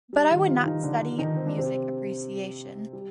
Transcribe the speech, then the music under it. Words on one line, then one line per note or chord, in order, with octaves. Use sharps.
But I would not study music appreciation.
G3
D#3 D#4
F3 F4
D#3 D#4
D3 D4
D#3 D#4
C4
D4
C3 C4
G3